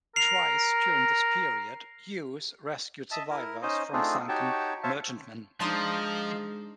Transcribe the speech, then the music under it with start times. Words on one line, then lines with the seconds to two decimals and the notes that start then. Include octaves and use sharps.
Twice during this period, "Hughes" rescued survivors from sunken merchantmen.
0.16 A#4 C7 F7
3.11 D#5 E5 A5
3.30 E4 A#4
3.62 C#4 D#4 C5 D#5
3.93 A3 C4 D4 D#4 F4 G#4
4.28 D#4 F#4 G4 C#5 G5 A5
4.83 C5 C#5 E5 F5 A5
5.60 F3 G#3 D4 D#4 F4 C5 D#5